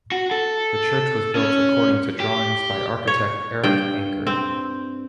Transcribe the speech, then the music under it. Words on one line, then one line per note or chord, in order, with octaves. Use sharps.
The church was built according to drawings by architect Erik Anker.
F#4
A4
C#4
G4
C#5
G2 G5
C4